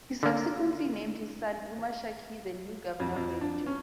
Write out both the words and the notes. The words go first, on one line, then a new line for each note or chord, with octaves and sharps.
He subsequently named his son Umar Shaikh the new governor of the region.
D3 A#3
F2
F2
D4
C#4